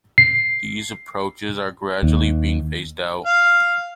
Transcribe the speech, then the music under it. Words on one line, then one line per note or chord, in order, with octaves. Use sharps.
These approaches are gradually being phased out.
C7
D#2
F5